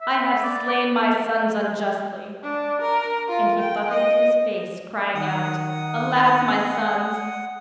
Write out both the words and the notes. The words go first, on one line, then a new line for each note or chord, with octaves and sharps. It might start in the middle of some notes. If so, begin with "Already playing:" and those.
I have slain my sons unjustly." And he buffeted his face, crying out, "Alas, my sons!
E5
D5
D6
D4
A#4
F4
G5
D#5
D#3 F#5 D#6